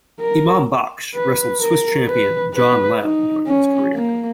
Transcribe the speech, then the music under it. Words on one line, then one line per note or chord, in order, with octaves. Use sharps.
Imam Baksh wrestled Swiss champion John Lemm during his career.
A#4
B4
A#4
B4
B4
D#4
C#4
A#3